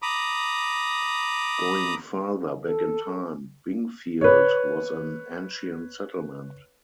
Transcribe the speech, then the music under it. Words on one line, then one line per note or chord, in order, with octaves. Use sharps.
Going further back in time, Bingfield was an ancient settlement.
A#5 B5 D6 D#6
A4
B4 C#5